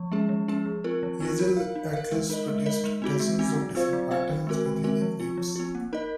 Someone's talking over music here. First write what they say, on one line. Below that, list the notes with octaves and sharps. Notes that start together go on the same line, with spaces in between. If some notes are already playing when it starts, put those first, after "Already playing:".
Hazel-Atlas produced dozens of different patterns, with unique names.
Already playing: F3
G#3 C#4 G#4
F3
G#3 C#4 G#4
F3
C4 F4 A#4
F3
C4 F4 A#4
D#4
A#4 F5
D#4
A#4 F5
G#3
D#4 A#4 D#5
G#3
D#4 A#4 D#5
G#3
C4 D#4 F#4
G#3
C4 D#4 F#4
F#3
C4 F4 C5 F5
F#3
C4 F4 C5 F5
D#3
G#3 C4 F#4 A#4
D#3
G#3 C4 F#4 A#4
F3
C4 F4
F3
C4 F4
A#3
D#4 A#4 D#5